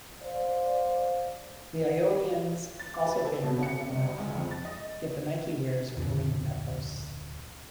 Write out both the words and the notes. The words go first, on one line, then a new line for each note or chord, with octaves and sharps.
The Ionians also favoured marble more often, yet the Nike wears a Dorian peplos.
C5 D5 F5
A6
D6
B4
A4
B2
C#7
G1
D#5
C#2
F2
A6
D#5
D1 F2 A#2 D3